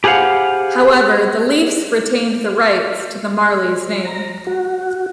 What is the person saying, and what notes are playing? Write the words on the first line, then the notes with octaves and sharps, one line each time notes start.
However, the Leafs retained the rights to the Marlies name.
G4 G#4 B4 C5 F5 F#5
A#5
F#4